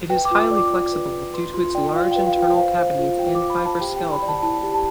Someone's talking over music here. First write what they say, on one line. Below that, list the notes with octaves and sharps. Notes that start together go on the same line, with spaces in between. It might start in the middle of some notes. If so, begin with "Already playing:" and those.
It is highly flexible due to its large internal cavities and fibrous skeleton.
B4 G5
D6
F4
D6
D5
D6
F4
B4
F4
B4 C6
F4 C6
D5 G5
F4 F5
B4 G5
F5
F4 G5
C5 F5
C5
F4
F4 G5
C5 D6
B5
C5 A5
G4 G5
G5
E4
B5
D5
A5
E4 A5
G4
A5